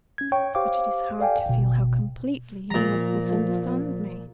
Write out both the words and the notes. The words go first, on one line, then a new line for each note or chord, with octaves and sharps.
But it is hard to feel how completely he must misunderstand me.
C#4 G#6
C#5 G5 C#6
G4 C5 F5 D6
A4 D5 F5 G5 G#5
G1 B2
A#2 F3 A#5